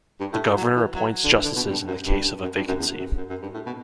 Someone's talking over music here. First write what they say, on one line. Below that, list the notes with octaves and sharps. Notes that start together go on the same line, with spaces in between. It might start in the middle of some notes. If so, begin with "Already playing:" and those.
The Governor appoints Justices in the case of a vacancy.
G2
A2
A2
F#3
E3
F#3
D3
E3
D3
B2
G2
F#2
G2
F#2
G2
F#2
E2
F#2
F#2
F#2
G2
A2
B2